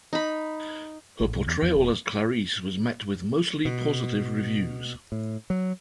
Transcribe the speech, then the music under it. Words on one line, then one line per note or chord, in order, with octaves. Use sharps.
Her portrayal as Clarisse was met with mostly positive reviews.
D#4 B5
A1
C2
E2
E2
E1
B2
A2
F#3